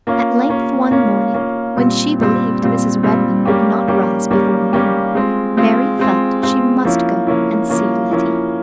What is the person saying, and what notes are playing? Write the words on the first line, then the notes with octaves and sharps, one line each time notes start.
At length one morning, when she believed Mrs. Redmain would not rise before noon, Mary felt she must go and see Letty.
A#3 C#4 F4
A#3 C#4 F4
A#3 C#4 F4
A#3 C#4 F4
A#2 G3 C4
A#2 G3 C4
A#2 G3 C4
A#2 G3 C4
G3 A#3 C#4 G4
G3 A#3 C#4 G4
G3 A#3 C#4 G4
G3 A#3 C#4 G4
G#3 C4 F4
G#3 C4 F4
G#3 C4 F4
G#3 C4 F4
F3 A#3 C#4 E4
F3 A#3 C#4 E4
F3 A#3 C#4 E4
F3 A#3 C#4 E4